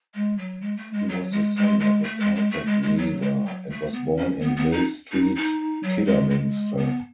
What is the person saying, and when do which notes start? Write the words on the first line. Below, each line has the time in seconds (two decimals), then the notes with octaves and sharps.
He was the son of a carpet-weaver, and was born in Mill Street, Kidderminster.
0.15 G#3
0.38 F#3
0.62 G#3
0.77 A3
0.93 G#3
1.09 F#3
1.32 G#3
1.56 G#3
1.80 G#3
2.04 A3
2.20 G#3
2.35 G#3
2.51 A3
2.67 G#3
2.83 G#3
2.98 F#3
3.22 G#3
3.46 F#3
3.70 A3
3.94 B3
4.17 C#4
4.40 B3
4.56 B3
4.72 D#4
5.12 D#4
5.36 D#4
5.83 F#3
6.07 G#3
6.30 G#3
6.77 B3